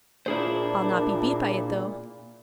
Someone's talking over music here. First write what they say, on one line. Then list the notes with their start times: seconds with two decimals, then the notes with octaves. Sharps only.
I'll not be beat by it, though.
0.26 A#2 D4 E4 G#4 C5